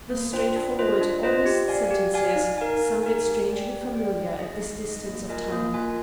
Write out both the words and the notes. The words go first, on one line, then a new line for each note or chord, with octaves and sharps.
The straightforward, honest sentences sounded strangely familiar at this distance of time.
A#3
D4 F4 C5 G5
D4
F4 C5 D#5
D4
F4 C5 D#5
G4
D5 F5 G#5
G4
D5 F5 G#5
D#4
A#4 F5 G#5
D#4
A#4 F5 G#5
G4
D5 G5
G4
D5 G5
D#4
G#4 D#5
D#4
G#4 D#5
A#3
F4 A#4 D#5 G#5
A#3
F4 A#4 D#5 G#5